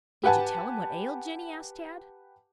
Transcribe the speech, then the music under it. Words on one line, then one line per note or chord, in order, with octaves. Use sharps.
"Did you tell him what ailed Jinny?" asked Tad.
G4 B4 F#5 G#5 A5